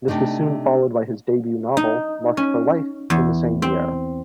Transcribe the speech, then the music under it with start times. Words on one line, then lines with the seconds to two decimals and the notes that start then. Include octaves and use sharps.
This was soon followed by his debut novel, "Marked for Life", the same year.
0.08 C3 A3 D4 D#4
1.77 D#4
2.37 C#4
3.10 E2
3.62 C4